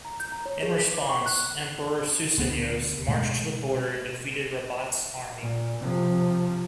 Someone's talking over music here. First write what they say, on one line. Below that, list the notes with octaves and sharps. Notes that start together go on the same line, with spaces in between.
In response, Emperor Susenyos marched to the border and defeated Rabat's army.
A#5
G6
A#5
C#5
G#4
B6
D6
C#6
F#6
D2 B3
B2 G#3 A3
A#2
C3 F3